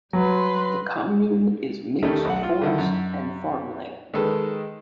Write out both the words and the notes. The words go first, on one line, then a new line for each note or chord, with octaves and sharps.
The commune is mixed forest and farmland.
F#3 G3 B4 C6
D#3 G3 A3 C#4 D#4
B1 F#5
F4
D3 D#3 E4
F#2
D#3 G#3 D#4 A4 B4